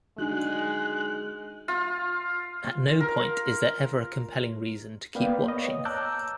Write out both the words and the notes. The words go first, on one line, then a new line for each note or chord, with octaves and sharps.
At no point is there ever a compelling reason to keep watching.
G#3 D4 D#4 F#4 F#6
F4
A#4
A#3 B3 B4 D5 F5 G5
C#5 D#5
A5 A#5 D6 E6 F#6 G6